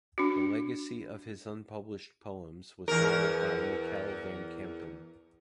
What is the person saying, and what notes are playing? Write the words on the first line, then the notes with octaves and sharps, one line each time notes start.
The legacy of his unpublished poems was handled by Michiel van Kempen.
D4 F#4
E2 A#4